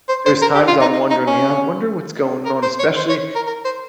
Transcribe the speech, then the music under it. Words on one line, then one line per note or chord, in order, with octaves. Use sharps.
There's times I'm wondering, yeah, "I wonder what's going on?" especially
C5
C5
A#4
G4
F4
D#4
D#4
D#4
C#4
A#4
C5
C#5
C5
C#5
A#4
A#4
C5